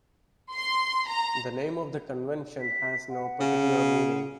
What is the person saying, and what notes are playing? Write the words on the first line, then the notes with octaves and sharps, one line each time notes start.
The name of the convention has no particular meaning.
C6
A#5
B6
F#5
C#3